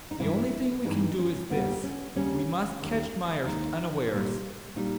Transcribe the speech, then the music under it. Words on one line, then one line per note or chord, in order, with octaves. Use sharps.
The only thing we can do is this--we must catch Myerst unawares.
D#4
G2 E3 G#3 E4
G2 E3 G#3 D#4
C#4
D#2 C#3 G3 B3
C#4
D#2 C#3 G3 C#4
D#2 D#3 G#3
D#2 D#3 G#3 D#4
A#2 G3
A#2 G3 D#4